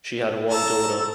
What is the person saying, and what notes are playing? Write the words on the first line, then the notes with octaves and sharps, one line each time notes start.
She had one daughter.
A4 A5 A#5